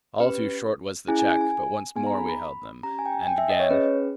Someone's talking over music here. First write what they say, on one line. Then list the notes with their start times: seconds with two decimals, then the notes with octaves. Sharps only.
All too short was the check, but once more we held them--and again.
0.20 C#4 G4 B4
1.08 C#4 E4 G#4 G#5
1.19 G#5
1.31 G#5
1.41 G#5
1.96 B3 D#4 G#4 G#5
2.07 A#5
2.18 B5
2.29 B5
2.83 C#4 G4 A#5
2.99 G#5
3.06 G5
3.12 G#5
3.23 G#5
3.27 G5
3.38 E5
3.50 D#5
3.60 C#5
3.70 C#4 G#4 B4